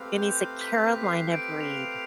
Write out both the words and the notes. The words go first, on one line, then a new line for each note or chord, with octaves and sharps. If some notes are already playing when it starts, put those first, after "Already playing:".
and he's a Carolina breed.
Already playing: A3 C4 G4 B4 F5
G6
B6
C7
D7
F7
F7